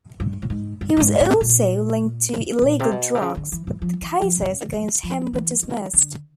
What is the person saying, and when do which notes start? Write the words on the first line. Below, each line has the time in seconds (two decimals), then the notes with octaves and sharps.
He was also linked to illegal drugs, but the cases against him were dismissed.
0.20 G2
0.42 A2
0.50 G#2
0.81 G2
0.97 G2
1.00 G#2
1.20 A2
1.41 A#2
2.62 A#2
2.80 C3
2.91 B2
3.15 C3
3.22 C#3
3.37 D3
3.52 E3
3.67 E3
3.82 F3
4.02 E3
4.22 F3
4.42 C#3
4.72 C#3
5.03 F3
5.33 E3
5.63 D#3
5.94 D3